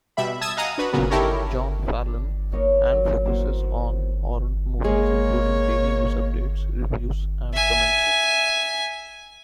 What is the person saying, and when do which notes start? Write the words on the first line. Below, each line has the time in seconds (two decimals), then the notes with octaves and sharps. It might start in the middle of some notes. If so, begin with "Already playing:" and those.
John Fallon, and focuses on horror movies including daily news updates, reviews, and commentary.
0.17 B2 G3 E5 B5
0.41 A5 D#6 E6 G#6
0.57 D#5 F5 F#5 G#5 A#5 D#6
0.78 D4 F#4 B4
0.93 A#2 C#3 F#3 A#3 B3
1.10 D#4 E4 G4 A4 A#4 C#5
2.06 D4
2.53 A#3 D#4 A#4 C#5
2.92 F#3
3.25 A#3 E4 F#4 C5
4.84 G#3 A#3 G#4 C#5
7.54 E5 G#5